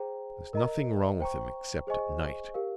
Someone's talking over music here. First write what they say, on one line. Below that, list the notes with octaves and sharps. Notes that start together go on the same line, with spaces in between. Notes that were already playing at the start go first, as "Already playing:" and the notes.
There's nothing wrong with him except at night.
Already playing: G#4 C5 G5 A#5
A#4 D#5 A#5
C5 G5 A#5 C#6
G#4 C5 D#5 G#5 C#6
G4 A#4 F5